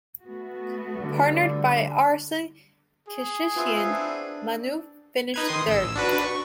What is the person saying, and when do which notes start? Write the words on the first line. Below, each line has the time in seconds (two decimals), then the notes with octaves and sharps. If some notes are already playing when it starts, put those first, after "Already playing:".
Partnered by Arsen Kishishian, Manou finished third.
0.23 A3 B3 F#4
0.97 D3 G3
3.08 G#4
3.56 B3 C4 E4 F4
3.90 D4
5.34 D#4 B4 G#6
5.47 D#3 C6 D#6
5.67 A1 E6
5.96 D4 F#4 B4
6.24 C#6